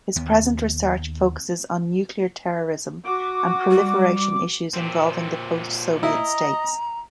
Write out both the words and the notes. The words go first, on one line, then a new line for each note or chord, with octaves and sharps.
His present research focuses on nuclear terrorism and proliferation issues involving the post-Soviet states.
D#2 B3
F#4 D6
G3
A#2 C4
E4 D#5 A#5